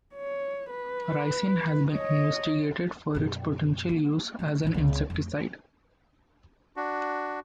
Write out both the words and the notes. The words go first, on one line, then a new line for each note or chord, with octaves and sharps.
Ricin has been investigated for its potential use as an insecticide.
C#5
B4
C#5 D#5
F#2 B2
A#3
A3 C#4
A#1 F#2
C#2 C4
F2 A3
D4 F#4